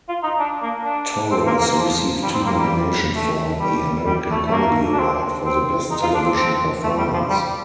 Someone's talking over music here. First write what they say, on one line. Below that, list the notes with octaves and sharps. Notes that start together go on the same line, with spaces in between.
Torres received two nominations for the American Comedy Award for the Best Television Performance.
F4
D#4
D4
A#3
D4
C4
A#3
A#3
F3
G3
C4
A#3
G3
A3
G3
G3
A3
A3
A#3
D4
C4
C4
D#4
F4
D4
C4
C4
A3
G3
F3
G3